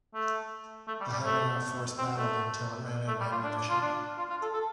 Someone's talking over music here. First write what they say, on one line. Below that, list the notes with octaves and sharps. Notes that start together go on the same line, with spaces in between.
The Haganah force battled until it ran out of ammunition.
A3
A3
G3
G3
A3
C4
A3
A3
G3
F4
D4
F4
D4
F4
F4
A4
A4